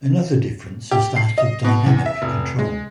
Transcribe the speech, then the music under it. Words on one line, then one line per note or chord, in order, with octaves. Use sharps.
Another difference is that of dynamic control.
G4
C7
D#5
B2
E2
E5
F1
G#3